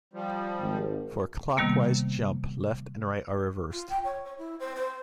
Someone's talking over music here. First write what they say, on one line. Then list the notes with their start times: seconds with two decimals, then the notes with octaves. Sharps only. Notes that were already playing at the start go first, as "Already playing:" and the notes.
For a clockwise jump, left and right are reversed.
0.13 F3 G3
0.59 G#1
1.57 C3 D#3 G3 A#3 B3
3.72 F4
3.89 G5
4.04 C#5
4.25 C#5
4.38 E4
4.60 C5
4.76 C5